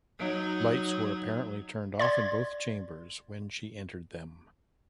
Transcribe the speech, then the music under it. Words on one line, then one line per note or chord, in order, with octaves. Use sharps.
Lights were apparently turned off in both chambers when she entered them.
F#3 D#4
D5 C6 G#6